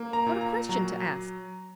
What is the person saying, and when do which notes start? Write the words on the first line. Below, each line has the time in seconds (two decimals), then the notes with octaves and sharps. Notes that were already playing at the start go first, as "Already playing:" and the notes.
What a question to ask!
Already playing: A#3
0.13 A#5
0.26 A#2
0.41 A#5
0.69 F#3 A#5